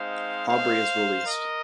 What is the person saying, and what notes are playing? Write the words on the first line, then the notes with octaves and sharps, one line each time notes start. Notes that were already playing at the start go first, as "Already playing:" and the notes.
Aubrey is released.
Already playing: G#3 C4 D#4 C5 F5
C5 F5
A#4 D#5